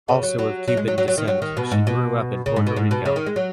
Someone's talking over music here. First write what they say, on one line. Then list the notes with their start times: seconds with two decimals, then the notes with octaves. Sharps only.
Also of Cuban descent, she grew up in Puerto Rico.
0.08 C#3
0.23 F#3
0.39 F#3
0.68 F#3
0.77 G#3
0.88 F#3
0.98 F#3
1.08 F#3
1.18 D#3
1.28 F#3
1.42 D#3
1.57 B2
1.71 G#2
1.87 B2
2.46 C#3
2.56 G#2
2.67 B2
2.76 G#2
2.91 B2
3.05 C#3
3.16 D#3
3.26 G#3
3.36 F#3